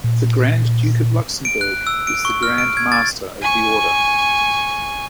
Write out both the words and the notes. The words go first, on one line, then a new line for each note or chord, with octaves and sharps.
The Grand Duke of Luxembourg is the Grand Master of the Order.
A#2
D7
F#6
E6
D7
C#6
F6
D7
G#6
A6
G#5 C#6